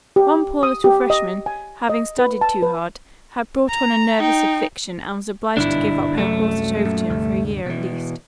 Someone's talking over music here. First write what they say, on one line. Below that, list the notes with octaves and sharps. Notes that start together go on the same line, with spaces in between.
One poor little freshman, having studied too hard, had brought on a nervous affection and was obliged to give up her course at Overton for a year at least.
G4
D#6
G4
D#5
G#5
D#5
B4
A5
B4
A#5
D#4 G5
G1 G#2 B2 D4 E4
C2 F#2 F#3 A3
F#2 A#2
D2 G2 C3
B2 E3